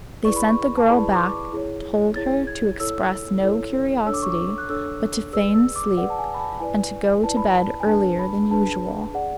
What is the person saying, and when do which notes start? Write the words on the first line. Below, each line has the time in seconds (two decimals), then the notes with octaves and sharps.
They sent the girl back, told her to express no curiosity, but to feign sleep, and to go to bed earlier than usual.
0.25 E4 G#4 B4 D5 C#6
0.36 B5
0.49 C#6
0.77 A5
0.88 E4 G#4 B4 D5 B5
1.13 D6
1.21 C#6
1.53 E4 G#4 C#5
2.16 E4 G#4 C#5 A6
2.47 G#6
2.80 E4 A4 C#5 E6
3.43 E4 A4 C#5
4.06 D4 A4 C#5 E6
4.14 D6
4.23 C#6
4.30 D6
4.58 F#6
4.69 D4 A4 C#5 E6
5.33 G#4 B4 D5 E6
5.54 E6
5.76 D6
5.97 G#4 B4 D5 F#5
6.10 A5
6.18 G#5
6.34 B5
6.39 A5
6.60 E4 B4 D5 G#5
7.23 E4 B4 D5 A5
7.37 B5
7.52 A5
7.80 G#5
7.87 D4 G#4 B4 A5
8.19 B5
8.51 D4 G#4 B4 A5
9.14 G#4 D5 F#5